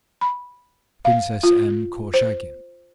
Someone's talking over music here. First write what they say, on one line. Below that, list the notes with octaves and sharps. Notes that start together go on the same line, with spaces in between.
Princess M. Korchagin.
B5
F5
F4
C5